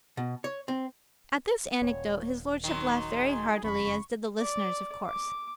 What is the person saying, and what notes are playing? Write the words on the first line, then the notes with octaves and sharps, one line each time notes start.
At this anecdote his Lordship laughed very heartily, as did the listeners, of course.
B2
C#5
C4
D#1 C#5
D#3 F#3 C6
G#4
F#1 F2 C#3 B5 C#6
D5
D6